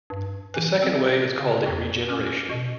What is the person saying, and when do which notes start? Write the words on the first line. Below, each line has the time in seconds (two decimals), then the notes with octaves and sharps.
The second way is called a regeneration.
0.10 G2
0.54 E3
0.82 C4
1.39 C#3
1.66 F2
2.09 C#4
2.49 B2